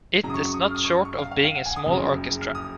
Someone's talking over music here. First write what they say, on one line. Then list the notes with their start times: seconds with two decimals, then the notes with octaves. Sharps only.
It is not short of being a small orchestra.
0.23 F#2 C#3 F#3 A#5
0.30 D#6
0.34 C#6
0.44 C#6
0.54 D#6
0.64 F6
0.75 D#6
0.85 C#6
1.05 C#6
1.18 F5
1.31 F5
1.45 F5
1.55 F#5
1.66 G#5
1.76 D#6
1.85 F#1 F2 C#3 F#3
2.42 F6
2.55 D#6